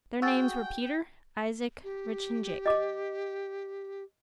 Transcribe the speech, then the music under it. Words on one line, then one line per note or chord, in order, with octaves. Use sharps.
Their names were Peter, Isaac, Rich, and Jake.
F#4 G#4 G5 E6 A6
G4
D#5 D6